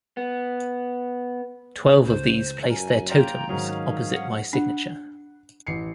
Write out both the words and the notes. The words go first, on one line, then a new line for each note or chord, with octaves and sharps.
Twelve of these placed their totems opposite my signature.
B3
C#2 C5
F#2 A#4 G#5
A#3 F4 G5 A#5
G#2 D#3 F#3 C#4 G#4 F5
F#5
D4 F#5
A1 C7 C#7